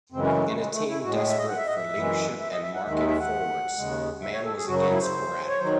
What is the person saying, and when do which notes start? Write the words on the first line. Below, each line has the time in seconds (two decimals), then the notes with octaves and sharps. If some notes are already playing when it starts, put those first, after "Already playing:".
In a team desperate for leadership and marking forwards, Mann was again sporadic.
0.12 F#2 C#3 E3 G#3 C4
0.24 C#4
0.35 A3
0.46 A3
0.57 G#3
0.73 A3
0.88 E4
1.03 A2 F#4
1.07 G#3
1.15 G#4
1.28 E5
1.38 D#5
1.49 F#5
1.58 E5
1.66 D#5
1.75 E5
1.95 F#2 E3 G#3
2.40 E5
2.52 D#5
2.63 E5
2.75 F#5
2.85 D#2 D#3 G#3 E5
2.97 E5
3.09 E5
3.19 F#5
3.76 D#2 C#3 G#3
4.22 E5
4.34 C#5
4.45 A4
4.57 G#4
4.67 F#2 C#3 F#3 F#4
4.79 F#4
4.91 E4
5.02 C5
5.49 C#5
5.59 D#3 F#3 C5